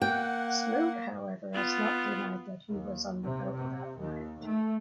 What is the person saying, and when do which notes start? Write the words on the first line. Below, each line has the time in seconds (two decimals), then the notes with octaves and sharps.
Smoot, however has not denied that he was on the boat that night.
0.02 A#3 F#5 G5
1.54 B3 F4
2.69 D#2
3.22 C3
3.53 C3
3.98 D#2
4.43 A3